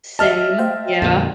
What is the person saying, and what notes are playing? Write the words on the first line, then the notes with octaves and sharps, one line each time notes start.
Same, yeah.
D#5 E5 A5 F6
C5 F5 G5
F2 A#2 D3